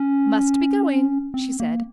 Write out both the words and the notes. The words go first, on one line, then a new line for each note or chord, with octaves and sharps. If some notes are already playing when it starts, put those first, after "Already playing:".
"Must be going," she said.
Already playing: C#4
C4
A#3